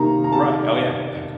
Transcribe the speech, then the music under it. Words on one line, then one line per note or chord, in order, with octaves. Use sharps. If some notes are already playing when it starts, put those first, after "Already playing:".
Right, oh yeah, yeah.
Already playing: C3 D#3 A#3 D#4 A#5
A#5
A5